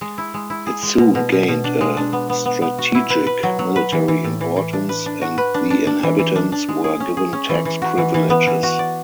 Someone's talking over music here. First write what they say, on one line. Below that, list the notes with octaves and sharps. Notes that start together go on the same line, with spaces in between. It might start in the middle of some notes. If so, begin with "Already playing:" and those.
It soon gained a strategic military importance and the inhabitants were given tax privileges.
G#3
E4
G#3
E4
G#4
G#3
B2
B2
B2
B2
D4
G#3
D4
B3
B3
B3
B3
F#4
E4
B4
B4
F#3
F#3
B4
E3
E3
A2
E3
E3
D4
B4
D4
F#4
B4
D4
D4
D4
E3
E3
D4
D4
G#3
G#4
C#4
G#4
C#4
E3
E3
F#4
E3
E3
B3
E3
F#4
D5